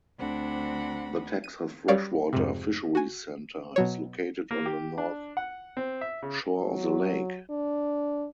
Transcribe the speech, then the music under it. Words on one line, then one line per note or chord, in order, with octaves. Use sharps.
The Texas Freshwater Fisheries Center is located on the north shore of the lake.
D2 C4 D4 F#5 B5
D#7
G3 C#5 D5 F5
F2 G#2 C3
F#4 G#5
B2 F#3 C#5
A#3
G4
D4
F#5
C4
E5
C#3
F#3
D4